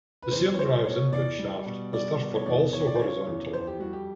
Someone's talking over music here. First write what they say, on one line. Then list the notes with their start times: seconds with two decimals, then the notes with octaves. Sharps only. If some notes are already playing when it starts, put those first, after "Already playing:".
The saildrive's input shaft is therefore also horizontal.
0.22 B4
0.31 E2 C5
0.54 C#5
0.58 G3 C5
0.85 B2 C#5
1.12 E2 D5
1.39 G3
1.66 B2
1.93 G3 D5
2.19 B2
2.35 C#5
2.46 E2 D5
2.73 F3 C#5
2.87 D5
2.95 C5
2.99 C#3 C#5
3.27 E2
3.53 F2 C5
3.67 G4
3.80 G3 F#4
3.93 G4